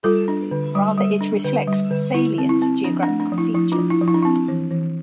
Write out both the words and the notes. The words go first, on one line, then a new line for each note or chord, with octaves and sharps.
Rather, it reflects salient geographical features.
G3 F4 A4
D4
D3
G3
G3
D4
D3
G3
D3
D3 E4
C4
E4
C4
F3 D4
D4
A3
D4
F3
E4
F3 E4
D4 F4
F3
E4
F3
E4
D4
C4 E4
E3
E3